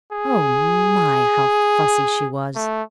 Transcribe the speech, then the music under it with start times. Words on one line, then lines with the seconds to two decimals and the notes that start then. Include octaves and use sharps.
Oh my, how fussy she was!
0.12 G#4
2.55 A3